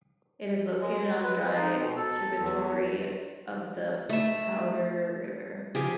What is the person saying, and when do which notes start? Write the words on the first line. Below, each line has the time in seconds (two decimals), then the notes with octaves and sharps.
It is located on a dry tributary of the Powder River.
0.81 G#3
1.24 B4
1.38 G#3
1.56 D#4
1.76 B2
1.96 A4
2.38 E2
4.09 A3 E5
5.75 F3 G4 G#4